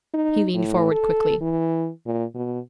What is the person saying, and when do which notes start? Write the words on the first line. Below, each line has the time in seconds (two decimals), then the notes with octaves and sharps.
He leaned forward quickly.
0.14 D#4
0.54 A2
0.91 A4
1.41 E3
2.06 A#2
2.35 B2